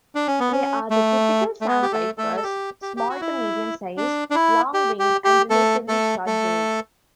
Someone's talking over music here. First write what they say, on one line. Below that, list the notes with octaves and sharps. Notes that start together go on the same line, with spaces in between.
They are the typical "sandpipers", small to medium-sized, long-winged and relatively short-billed.
D4
C#4
B3
C#4
A3
A3
B3
G4
A3 A4
A3 A4
A4
G4
G4
G4
F#4
E4
D4
D4
E4
G4
G4
G4
A3 A4
A3 A4
A3 A4